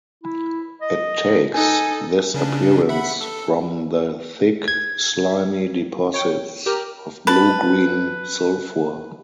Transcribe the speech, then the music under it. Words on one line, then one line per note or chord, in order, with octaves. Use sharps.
It takes this appearance from the thick, slimy deposits of blue-green sulphur.
E4
D#5
D#4 A4 G#5
C#3 C#4 D4
E5 F#5 B5
A4
G#6
C#5 G5
G4 A#4
B4 A5